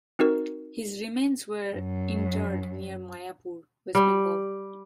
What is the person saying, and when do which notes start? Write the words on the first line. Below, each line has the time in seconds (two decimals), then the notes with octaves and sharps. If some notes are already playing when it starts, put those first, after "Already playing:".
His remains were interred near Mayapur, West Bengal.
0.19 C4 D#4 F#4 A#4
1.74 F#2
3.95 G3